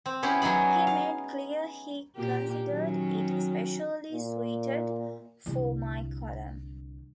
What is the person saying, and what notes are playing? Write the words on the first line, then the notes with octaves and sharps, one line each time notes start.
He made clear he considered it especially suited for my column.
C4
B3 C#4 E4 G4 G#4
F#3 D#4 G#4 B5
F5
A#2 A#3 G4
D#3 F#3 C#4
A#2
C2 D3